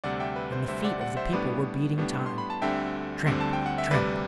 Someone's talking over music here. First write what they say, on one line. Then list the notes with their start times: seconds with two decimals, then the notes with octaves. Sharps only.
And the feet of the people were beating time--tramp, tramp.
0.04 D2 C3 G3 D5 F#5
0.20 E5 G5
0.36 B4
0.52 C5
0.68 D2 C3 G3 C5 E5
0.84 D5 F#5
1.00 D5 F#5
1.17 C5 E5
1.33 A2 G3 B3 D4 B4 D5
1.98 A2 G3 B3 D4
2.26 C6
2.38 B5
2.50 A5
2.62 D2 D3 G3 C4 E5 G5
3.26 D2 D3 G3 C4
3.40 A5
3.53 G5
3.66 F#5
3.78 E5
3.91 D2 C3 G3 B4 D5